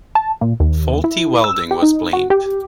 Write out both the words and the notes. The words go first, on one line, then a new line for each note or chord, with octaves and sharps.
Faulty welding was blamed.
A5
A#2
D#2
E4
E6
G4
D#4
F#4
G4